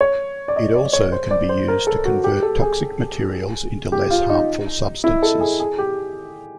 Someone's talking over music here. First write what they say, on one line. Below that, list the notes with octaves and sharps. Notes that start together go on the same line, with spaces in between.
It also can be used to convert toxic materials into less harmful substances.
C#5
D5
D#5
D5
C#5
C5
D5
C5
A#4
A4
F#4
G4
A4
G#4
G4
F4
D#4
E4
A4
G#4
G#4
G4